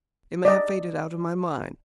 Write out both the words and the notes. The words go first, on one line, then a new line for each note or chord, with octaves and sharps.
It may have faded out of my mind.
D5 D#5